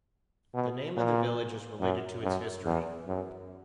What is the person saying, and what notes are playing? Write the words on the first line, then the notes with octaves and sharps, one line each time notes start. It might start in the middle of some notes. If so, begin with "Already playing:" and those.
The name of the village is related to its history.
B2
A#2
F#2
F#2
E2
F#2